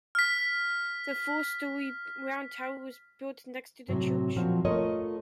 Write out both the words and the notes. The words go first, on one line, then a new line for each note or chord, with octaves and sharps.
The four-storey Round Tower was built next to the church.
F6 B6
A2 C3 F#3 C4
A#2 F3 F#3 C4 F4 F#4
A3 F4 A#4 C#5 D#5